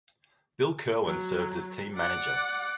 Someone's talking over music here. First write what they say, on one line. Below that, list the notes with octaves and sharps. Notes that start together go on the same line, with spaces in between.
Bill Kerwin served as team manager.
F#3
D5 F#5